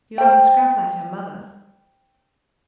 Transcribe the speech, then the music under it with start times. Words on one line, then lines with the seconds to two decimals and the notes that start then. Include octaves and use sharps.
You aren't a scrap like your mother.
0.18 C5 G5